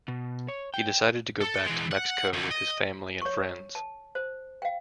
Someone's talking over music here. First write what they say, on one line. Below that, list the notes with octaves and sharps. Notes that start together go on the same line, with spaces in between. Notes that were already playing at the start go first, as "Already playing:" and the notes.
He decided to go back to Mexico with his family and friends.
B2
C#5
G5
A4
E3 G#3
F#5
F2 D3
D#5
C#5 C#6
A5
C5
F5 G5